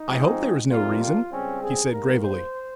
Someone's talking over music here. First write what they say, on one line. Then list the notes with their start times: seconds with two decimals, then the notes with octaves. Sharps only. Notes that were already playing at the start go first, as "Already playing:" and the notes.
"I hope there is no reason," he said gravely.
Already playing: D#4
0.08 G#2 F3 C4
0.69 F2 C3 G3 A#3 F4
1.00 F4
1.31 C#2 C#3 G3 C4 C#4
1.62 G#4
1.92 G#2 G3 A#3 A#4
2.22 C5